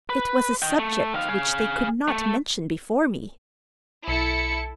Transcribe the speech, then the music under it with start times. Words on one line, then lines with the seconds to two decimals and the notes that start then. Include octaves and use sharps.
"It was a subject which they could not mention before me."
0.09 B4
0.62 D#5 G5
0.79 A3
1.14 D#3 F5
1.29 G#4 F5
2.08 A3
4.08 B1 E4 A4 C#7